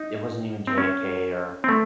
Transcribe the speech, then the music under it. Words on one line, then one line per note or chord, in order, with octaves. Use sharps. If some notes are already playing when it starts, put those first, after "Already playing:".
it wasn't even JFK or
Already playing: D#4
C4
C#4
C4
A3